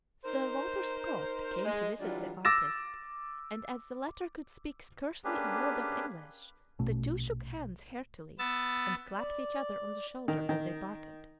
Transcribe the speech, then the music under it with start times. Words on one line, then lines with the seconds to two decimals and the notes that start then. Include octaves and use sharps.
Sir Walter Scott came to visit the artist, and as the latter could speak scarcely a word of English, the two shook hands heartily, and clapped each other on the shoulder as they parted.
0.24 D#4 A#4 C5
1.65 G#3
1.99 E3 F#3 G3 D4 F4
2.45 D6 E6 A6 A#6 E7
5.24 A#3 C#4 D4 G4 G#4 B4
6.79 A#1 B2 A3 C#4
8.39 B3 E6 A6
9.17 D5
10.28 D#3
10.49 D#3